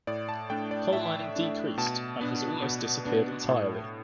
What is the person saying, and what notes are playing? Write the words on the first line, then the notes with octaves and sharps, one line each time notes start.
Coal mining decreased, and has almost disappeared entirely.
A2 D5
A5
A3 D4 G5
D5
A2 E5
A3 D4
B2 A5
B3 D4
B2
B3 D4
A2